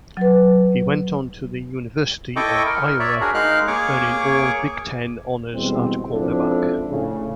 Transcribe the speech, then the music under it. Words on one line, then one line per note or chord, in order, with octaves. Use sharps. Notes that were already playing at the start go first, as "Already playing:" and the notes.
He went on to the University of Iowa, earning all-Big Ten honors at cornerback.
F#3 B4
E4 A4 D#5 G5 C#6 D6
A#4
C#5 D5 E5
D4 F#4 G#4 A#4
G#3 D#4 A#4 F5 F6 F#6
A#3 G#4 C#5 C#6 D6
B2 E3 G3 G#3 C4
C#2 F3 C4 D4 E4 A4
A2 C#3